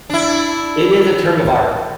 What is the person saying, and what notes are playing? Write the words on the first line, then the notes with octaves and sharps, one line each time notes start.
It is a term of art.
D4 E4